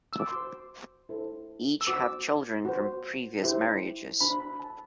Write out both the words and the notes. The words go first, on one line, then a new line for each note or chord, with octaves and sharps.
Each have children from previous marriages.
E6
D6
C6
F#4 C5 D6
E4 A4 C5
E6
F#4 C5 D6
F#4 C5
E4 G4 C5
D4 F#4 C5 B5
B5
A5